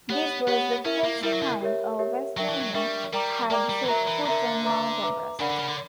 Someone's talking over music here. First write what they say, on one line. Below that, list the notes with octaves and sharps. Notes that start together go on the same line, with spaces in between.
This was the first time a Westerner had set foot on Mount Everest.
B3 G4 C#5 F#5
B3 G4 C#5 F#5
C#4 E4 A#4 E5
A#3
G3 E4 A#4 E5
F#3
D3
G4 A#4 C#5 E5
G4 A#4 C#5 E5
F#3 D4 A#4 E5 G5 C#6
E3
F#3
G3 D4 A#4 E5 G5 C#6
G3 A#4 D5 G5 A#5 D6
A#3 A#4 D5 G5 A#5 D6
G3
E3
F#3 A#4 E5 A#5
E3
D3 A#4 E5 A#5
B4 E5 A#5 D6
B4 E5 A#5 D6
C#3 D4 A#4 D5 F#5 B5
D3
C#3
D3